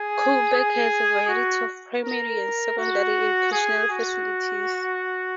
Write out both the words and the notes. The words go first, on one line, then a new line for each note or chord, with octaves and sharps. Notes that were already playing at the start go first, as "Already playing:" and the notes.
Coburg has a variety of primary and secondary educational facilities.
Already playing: G#4
G#4
F#4
A#4
F#4
G#4
F#4